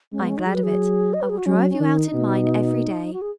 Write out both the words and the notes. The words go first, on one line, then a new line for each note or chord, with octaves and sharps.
"I am glad of it; I will drive you out in mine every day."
G#3 C#4
B3
C#4
D#4
F#3 G#4
B4
G#4
D#5
B4
G#4
F#4
F#3 C#4
C#4
C#4
D#3 D#4
B2
F#4
G#4